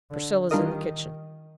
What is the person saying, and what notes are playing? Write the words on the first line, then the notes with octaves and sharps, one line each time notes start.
"Priscilla's in the kitchen."
D3
D#3 G3 D4 F4 A#4 D#5